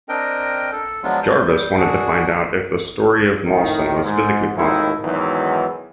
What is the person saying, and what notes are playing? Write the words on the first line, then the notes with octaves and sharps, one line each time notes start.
Jarvis wanted to find out if the story of Mawson was physically possible.
C4 D4 A#4 D#5 G5
A4
F3 F#3 G#3 B3 D4 F4
G3 G6
D4 F#4 G#4
A2 D#3
G#2
G#1 D#2 A2 D#3 D#4 E4
E2 G#2 D#3 E3 F#3